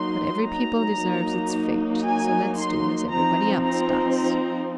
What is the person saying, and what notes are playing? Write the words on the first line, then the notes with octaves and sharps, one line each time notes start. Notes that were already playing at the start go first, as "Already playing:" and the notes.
"But every people deserves its fate, so let's do as everybody else does."
Already playing: F#3 A#3 D#4 C6
A#5
F#3 A#3 D#4
G#5
C6
F3 C4 D#4 A#5
A#5
A#5